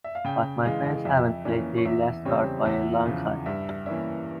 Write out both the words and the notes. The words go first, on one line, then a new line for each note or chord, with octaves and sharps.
But my friends haven’t played their last card by a long sight.
E5
F5
C#3 G5
E3 G#3 F5
F2 E5
E3 A#3 C#4
C#5
E2 E5
C#3 G3 C4 C#5
E2 E5
C#3 F3 F5
G2 E5
E3 A#3 C#4 E5